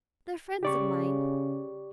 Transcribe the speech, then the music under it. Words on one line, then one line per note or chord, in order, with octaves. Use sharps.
They're friends of mine.
C#3 G4 D5 C#6